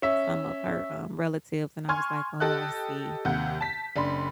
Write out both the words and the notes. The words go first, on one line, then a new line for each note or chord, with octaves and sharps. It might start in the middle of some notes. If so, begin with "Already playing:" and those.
some of her, um, relatives, and I was like, "Oh, I see."
C#4 E5
G#5 C6 C#6 F6 G#6
G4 A4 D#5 F#6
D#2 C3 F#5 G6
A5 B6
F#1 D4 B5 C6